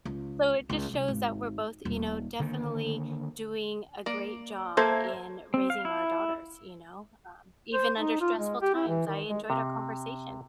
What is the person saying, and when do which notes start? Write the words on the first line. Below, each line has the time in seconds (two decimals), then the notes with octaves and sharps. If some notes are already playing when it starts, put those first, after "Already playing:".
so it just shows that we're both, you know, definitely doing a great job in raising our daughters, you know, um, even under stressful times. I enjoyed our conversation.
0.05 C#2
0.70 C#2
0.94 C2
1.08 G#1
1.85 D#1
2.39 D3 D#3 A#3
4.06 A#3 D5
4.77 A#3 A4 C5 E5 G#6
5.54 C4
5.70 F5
5.85 E4
7.74 C5
7.98 D#4
8.21 F4
8.37 G#3
8.62 G4
8.75 E4
8.88 E3
9.07 D#3
9.29 G#3
9.50 C3